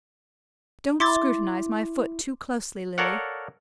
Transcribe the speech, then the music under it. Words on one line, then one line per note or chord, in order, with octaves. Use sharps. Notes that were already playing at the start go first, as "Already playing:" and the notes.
"Don't scrutinize my foot too closely, Lily."
E4 C6 D6 A6
A4 A#4 C#5 D5 F5 F#5